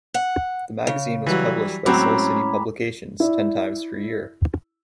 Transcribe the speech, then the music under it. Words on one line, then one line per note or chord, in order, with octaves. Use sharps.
The magazine was published by Soul City Publications ten times per year.
F#5
C#3
E3 F#3 G3 B6
A2 F#3 G#3 C4 C#4 A#5 B5 D6
E4 D5